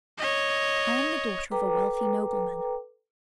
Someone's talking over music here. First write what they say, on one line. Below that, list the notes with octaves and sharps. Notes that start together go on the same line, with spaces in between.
I am the daughter of a wealthy nobleman.
C#5 D#5
A4 B4 G5 A#5 D6